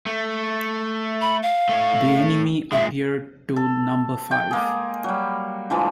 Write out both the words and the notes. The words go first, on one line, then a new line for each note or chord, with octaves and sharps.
The enemy appeared to number five.
A3
B5
F5
A3 C#5
A#2 G#3 E5
A4
G5
G#3 A#3 G#4
F#3 G3
D3 E3 F3 G#3